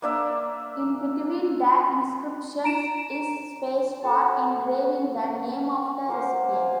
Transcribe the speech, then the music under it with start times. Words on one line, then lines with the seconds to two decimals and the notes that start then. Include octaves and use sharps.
In between the inscriptions is space for engraving the name of the recipient.
0.02 A#3 D4 E5
2.64 A#5 D7 E7
4.03 F#4 A4 A5
6.08 F#3 A#3 C5
6.52 F5 G#5